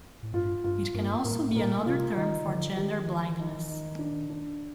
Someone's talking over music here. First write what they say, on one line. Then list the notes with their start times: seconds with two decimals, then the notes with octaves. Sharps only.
It can also be another term for gender-blindness.
0.23 A2
0.33 G2 F4
0.64 G2 F4
0.94 G2 A#3
1.25 A2 A#3
1.32 A#2
1.40 A2
1.56 A#2 A#3
1.86 C3 F4
2.17 D#3 D#4
2.47 D3 F3
2.77 D#3 G4
3.08 F3
3.39 D#4
3.69 D#4
3.99 D4
4.30 D4